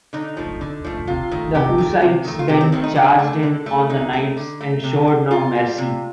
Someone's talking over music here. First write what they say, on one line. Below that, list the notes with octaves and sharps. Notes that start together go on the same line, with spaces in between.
The Hussites then charged in on the knights and showed no mercy.
D3 D#4
F3 A3
D3
F3 A3
C3 F4
D#3 A3
C3 G4
D#3 A3
C3
D#3 A3
F4
C3 G4
C4
D#3 A3 C4
D#4
D3 D4
A3
D3
A3
D3 D#4
A3
D3
A3
C3
G3
C3 F4
G3
C3